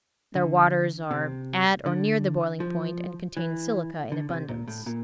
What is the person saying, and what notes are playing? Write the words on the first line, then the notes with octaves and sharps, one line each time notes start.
Their waters are at or near the boiling point and contain silica in abundance.
D3
C3
D3
F3
E3
D3
C3
A#2
A2
A#2